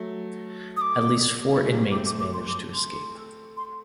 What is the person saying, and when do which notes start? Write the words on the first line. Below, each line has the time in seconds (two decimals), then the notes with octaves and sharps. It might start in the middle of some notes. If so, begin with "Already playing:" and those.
At least four inmates managed to escape.
Already playing: F#3 A3
0.77 D#6
0.81 D6
1.46 G3
1.55 F#3 A3
1.73 G3 A#3
1.91 A3 C4 D6
2.06 D6
2.20 D6
2.34 C6
2.47 D6
2.74 C6
3.57 C6